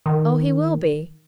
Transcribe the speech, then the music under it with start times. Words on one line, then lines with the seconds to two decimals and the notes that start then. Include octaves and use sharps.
'Oh, he will be.
0.06 D#3